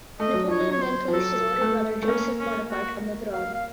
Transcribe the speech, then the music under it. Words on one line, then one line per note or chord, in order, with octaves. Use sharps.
Napoleon then placed his older brother Joseph Bonaparte on the throne.
A3 D#5
F#3
F3 C#5
F#3
C#5
C5
F3
F#3 A4
A3
A3
A#3 C#4
C#4
F#4
F5
F5